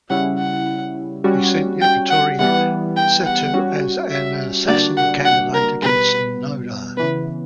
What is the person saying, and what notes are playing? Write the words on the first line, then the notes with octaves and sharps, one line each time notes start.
He sent Yukari Sato as an "assassin" candidate against Noda.
C#3 G3 C#4 E4 F#5
F#5
G3 C#4 F#4
G5
F#5
E3 G3 B3 F#5
G5
F#5
G3 C#4 F#4
E5
D3 G3 A#3 D4 F#4 D5
F#5
F#5
A#4
B2 G3 B3 B4
C#3 E3 B3 B4